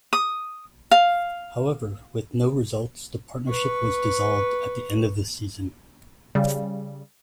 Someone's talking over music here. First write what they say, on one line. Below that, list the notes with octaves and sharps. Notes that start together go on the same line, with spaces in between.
However, with no results, the partnership was dissolved at the end of the season.
D#6
F5
B4 C#6
C#3 G3